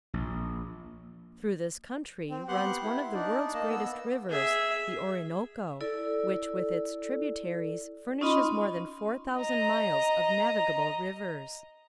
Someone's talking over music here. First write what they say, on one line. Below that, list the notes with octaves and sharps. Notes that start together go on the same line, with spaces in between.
Through this country runs one of the world's greatest rivers, the Orinoco, which with its tributaries furnishes more than four thousand miles of navigable rivers.
A#1
C4
B3 G4 F#5 C6 F#6
E4
D4 D#4 D5
A#3 D#5 A5
B3 E6
G#4 E5
E4 A4 D5
C#4 D#4 F4 D#5 B5 C6
D#5 A#5